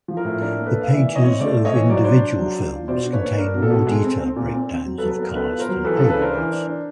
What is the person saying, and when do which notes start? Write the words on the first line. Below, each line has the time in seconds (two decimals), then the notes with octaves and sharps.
The pages of individual films contain more detailed breakdowns of cast and crew awards.
0.08 F3
0.17 A#4
0.25 A2
0.41 D4 A#4
0.58 A#3
0.66 A4 B4
0.74 A#3
0.82 F5
0.91 E3 D5 E5
1.08 E3
1.16 C#5 D#5
1.23 C4
1.40 A3 C5 D5
1.57 A3
1.65 C#5 D#5
1.73 E3
1.89 F#3 D5
1.97 C#5
2.04 D4 C5 D5
2.23 D4
2.39 F#3
2.55 D4
2.72 F4
2.88 B2 C5 D5
3.05 D4
3.13 B4 C#5
3.21 A#3
3.37 D4 A#4
3.54 B2 A#4
3.62 A4
3.70 B2
3.87 G#3
4.04 C4
4.20 C4
4.36 A#2
4.53 C4
4.69 C4
4.86 F#3
4.98 A4 B4
5.02 F#3
5.10 A4 B4
5.19 B3 A#4
5.35 B3 A4 B4
5.52 F4
5.60 A#4 C5
5.69 F#3
5.84 E3 A4 B4
5.97 A4 B4
6.01 C#3
6.10 A4 B4
6.18 D4 A#4 C5
6.34 E3
6.51 D4
6.67 D4